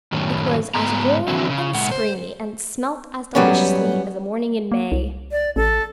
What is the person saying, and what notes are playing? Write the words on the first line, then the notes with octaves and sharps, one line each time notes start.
It was as warm and springy, and smelt as deliciously, as a morning in May.
F#2 A2 D#3 C#4
G#2 G#3 B3 A#5
D3 E3 F3 C4 E4
C#3
A#2 G#3 F#5
C5
F#3 G3 B3 C#4
A#3
C2
D5
A1 A4